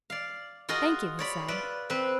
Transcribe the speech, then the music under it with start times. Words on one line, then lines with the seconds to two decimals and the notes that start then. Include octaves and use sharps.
"Thank you," he said.
0.10 D5 F5
0.69 F4 F#4 G#4 A#4 D#5
1.19 C#5 D5 B5
1.48 F4 B4 D5 E5
1.90 C4 B4